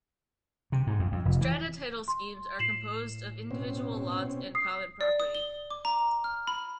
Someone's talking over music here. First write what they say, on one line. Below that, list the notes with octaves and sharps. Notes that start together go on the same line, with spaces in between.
Strata Title Schemes are composed of individual lots and common property.
C3
G#2
F2
F2
F1
E3
C6
A2 C7 E7 F#7
B2 C4 C#4
D#6 C7
D5
D#6
G7
D6
A#5
F6
B5